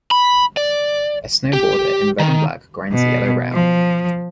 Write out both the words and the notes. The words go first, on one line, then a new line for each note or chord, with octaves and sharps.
A snowboarder in red and black grinds a yellow rail.
B5
D5
G4
D#3
B2
F3